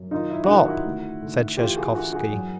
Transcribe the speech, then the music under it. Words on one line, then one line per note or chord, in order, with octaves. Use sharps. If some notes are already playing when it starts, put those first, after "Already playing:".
"Stop!" said Sheshkovsky.
Already playing: F#2
D#3 D#4 F4
E4
F#4
D#3 D#4 F4
E4 F#4
D2
D2
E3 F4 G4
F#4 G#4
E3 E4 F#4
F#4 G#4
F#2